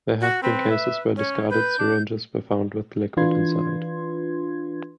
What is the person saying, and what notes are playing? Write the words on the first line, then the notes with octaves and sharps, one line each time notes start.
There have been cases where discarded syringes were found with liquid inside.
F#4
C4 B4
E5
C#4 C#5
B4 G6
D4
E3 D4 F4 B4 C6 G#6